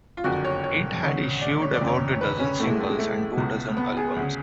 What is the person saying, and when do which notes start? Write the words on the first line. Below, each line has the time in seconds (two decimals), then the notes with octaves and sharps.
It had issued about a dozen singles and two dozen albums.
0.17 F4
0.24 F#1 F2 D3 F#4
0.45 C#5
0.64 C#5
1.03 D2 C#3
1.42 D5
1.62 C#5
1.74 D5
1.81 F1 F2 C#3
1.87 C#5
2.14 C#5
2.21 B4
2.39 C#4
2.59 A1 A2 A3
2.69 G#3
2.79 A3
2.89 G#3
2.99 A3
3.37 C#2 B2
3.77 B3
3.97 G#4
4.16 D2 C#3